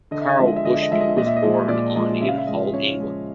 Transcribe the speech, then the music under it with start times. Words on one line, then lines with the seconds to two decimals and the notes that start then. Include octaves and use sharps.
Karl Bushby was born on in Hull, England.
0.11 D3 D#5
0.21 E5
0.29 D#5
0.37 F3 G#3 E5
0.47 D#5
0.56 E5
0.64 D3 D#5
0.74 E5
0.82 D#5
0.90 F3 G#3 E5
1.01 D#5
1.09 E5
1.17 A#2 D#5
1.27 E5
1.37 D#5
1.43 F3 G#3
1.68 A#2 D5
1.95 F3 G#3 D#5
2.21 C#3 E5
2.29 F5
2.38 E5
2.47 F3 G#3 D#5
2.73 C#3 C#5
3.00 F3 G#3